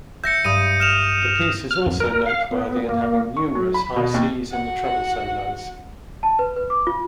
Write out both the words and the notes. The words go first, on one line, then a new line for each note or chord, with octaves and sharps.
The piece is also noteworthy in having numerous high Cs in the treble solos.
E5 G6 A#6 C#7
G2 D#6 D#7
F6 E7 F7
F6
F2
A#4
F5
B3
A#3
C#6
F#3
B5
B2
D#2
F#4 F#5
A5
B4
B4
D6
F4